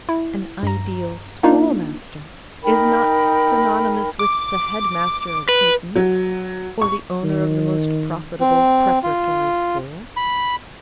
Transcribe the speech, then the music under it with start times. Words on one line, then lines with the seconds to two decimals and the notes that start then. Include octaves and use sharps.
An ideal schoolmaster is not synonymous with the Headmaster of Eton or the owner of the most profitable preparatory school.
0.09 E4
0.63 G2 A#5
1.43 A#3 D4 D#4 F4
2.64 D#4 A#4 G5 B5
4.19 D6
5.49 B4
5.96 F#3
6.82 C#6
7.24 D#3
8.40 C4
9.03 F4
10.17 B5